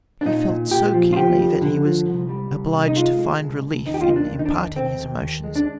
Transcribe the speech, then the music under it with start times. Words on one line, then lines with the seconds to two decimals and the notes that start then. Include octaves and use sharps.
He felt so keenly that he was obliged to find relief in imparting his emotions.
0.21 D4
0.25 A#2 D#4
0.49 A#2
0.71 A#2 G4
0.94 F3
1.13 F4
1.16 F3 G4
1.39 F2
1.61 D3
1.84 F3
2.06 C2
2.29 G3
2.51 C2
2.74 C3
2.88 D#4
2.95 G#3 F4
3.19 G#3
3.41 C2
3.63 C2
3.86 D#2 D#4
3.94 G4
4.01 F4
4.08 A#3 D#4
4.16 D4
4.31 D#2
4.39 D#4
4.46 D4
4.53 D#2
4.76 D#2 C4
4.98 D#2
5.21 D#2
5.44 G#3
5.56 D4